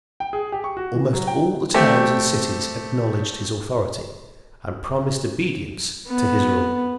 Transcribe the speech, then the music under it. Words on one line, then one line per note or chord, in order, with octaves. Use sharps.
Almost all the towns and cities acknowledged his authority, and promised obedience to his rule.
G5
G#4
G4
C#6
F#4
E3
F#3
G5
A3 C4 G4
B3